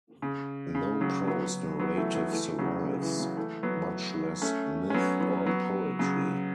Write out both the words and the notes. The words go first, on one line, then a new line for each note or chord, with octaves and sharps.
No prose narrative survives, much less myth or poetry.
C#3
C#3
C#3 F#3
F#3 B3
F#3 B3
E3 A3
F#3 B3
E3 A3
C#3 F#3
C#3
E3
C#3 F#3
E3 A3
F#3 B3
A3 C#4
C#4
F#3 B3
F#3 B3
F#3 B3
C#3 F#3